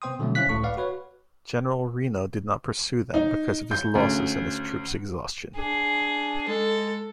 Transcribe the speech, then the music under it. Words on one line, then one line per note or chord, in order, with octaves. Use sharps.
General Reno did not pursue them because of his losses and his troops' exhaustion.
C3 B3 C5 G5 C6 D#6
B2 D3 F#3 G3 A3 C4
C#4 E4 C5 F5 F#6 B6
G#1 C#2 A2 A4 C#6
B4 D5 F5 F#5
F#4 B4 C#5
D#4
G6
D2 C#3
D4 G#4
G#3 A4